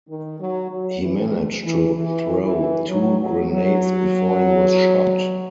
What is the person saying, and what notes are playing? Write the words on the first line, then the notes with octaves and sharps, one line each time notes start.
He managed to throw two grenades before he was shot.
D#3
F#3
F#3
E3
E3
E3
E3
F#3
F#3
F#3